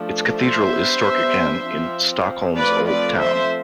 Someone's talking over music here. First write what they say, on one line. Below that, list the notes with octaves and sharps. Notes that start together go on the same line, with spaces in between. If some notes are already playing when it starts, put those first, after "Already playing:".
Its cathedral is Storkyrkan in Stockholm's old town.
Already playing: F3 A3 D4
C5 E5
G3 B3 D4
F3 C4
F3 A3 C4 B4 D5
B4 D5
C5 E5